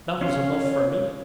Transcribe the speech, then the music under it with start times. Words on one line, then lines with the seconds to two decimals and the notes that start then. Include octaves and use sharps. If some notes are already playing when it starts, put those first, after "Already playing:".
'That was enough for me.
0.21 C#4 F4 C#5